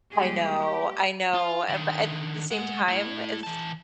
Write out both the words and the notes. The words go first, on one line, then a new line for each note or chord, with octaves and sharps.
I know, I know, uh, but at the same time, it's
D#2 G3 G#3 G4 G#4
G4
F4
D3 D#3
G#3 F#5
A3 E4
E3 A5